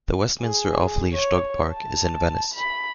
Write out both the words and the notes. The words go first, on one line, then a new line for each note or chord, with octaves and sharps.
The Westminster Off-Leash Dog Park is in Venice.
G#4
C#5
A5
B5